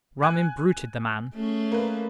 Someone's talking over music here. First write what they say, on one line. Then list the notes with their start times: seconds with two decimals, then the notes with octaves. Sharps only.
Rum imbruted the man.
0.23 G#5 F#6 G#6
1.35 A3 C#4 G#4
1.72 A#3 B4